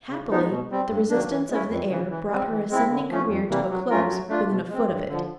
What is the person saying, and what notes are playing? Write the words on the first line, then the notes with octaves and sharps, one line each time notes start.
Happily, the resistance of the air brought her ascending career to a close within a foot of it.
C#3
F3 G#3 B3 D#4
B2
G3 C4
G2
D#3 F#3 A#3 D4
E3
G#3 C#4 E4
F2
C#3 E3
E3
G3 C4
E3
G#3 C4 E4
D3
F3 A3 C#4
F2
C3 E3 G3 A#3
F#3
A3 C#4 F4 A#4
F#3
A3 D4 F4
B2
G#3 C4
G2
D3 F3